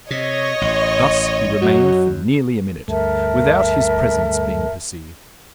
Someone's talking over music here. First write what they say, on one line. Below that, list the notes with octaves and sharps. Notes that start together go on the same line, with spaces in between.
Thus he remained for nearly a minute, without his presence being perceived.
C3 C#5 D#5
A1
F#2 F#3
D2 G2 A3 A#4 E5 A5